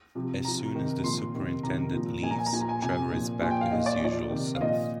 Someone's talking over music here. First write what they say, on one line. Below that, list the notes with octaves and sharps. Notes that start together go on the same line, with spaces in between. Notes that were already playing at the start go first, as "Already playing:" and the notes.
As soon as the superintendent leaves, Trevor is back to his usual self.
C3 F3
C3 F3 A#5
C3 D#3
A#2 F3 C6
C3 D#3
C3 D#3 A#5
A#2 F3
A#2 F3 G#5
A#5
G#5
A#5
A#2 F3 G#5
A#5
G#5
C3 F3 G#5
A#2 F3
A#2 F3 G#5
G5
F5
A#2 F3 D#5
D5
A#2 F3 D5
C3 D#3
F5
A#2 F3 D#5